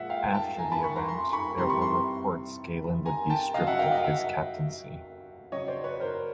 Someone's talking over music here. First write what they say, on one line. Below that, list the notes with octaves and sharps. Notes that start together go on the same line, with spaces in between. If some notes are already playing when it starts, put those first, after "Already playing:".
After the event, there were reports Gallen would be stripped of his captaincy.
Already playing: A#2 F3 G#3 E5 F#5
F5 G5
G5 A5
G#5 A#5
A5 B5
B5 C#6
A#5 C6
A#5 C6
B5 C#6
C3 E3 G3 A#5 C6
B5 C#6
A#5 C6
G#5 A#5
G5 A5
C#3 F#3 D#5 F5
E5 F#5
F5 G5
D#5 F5
E5 F#5
C#3 F#3 C#5 D#5
C5 D5
B4 C#5
A#4 C5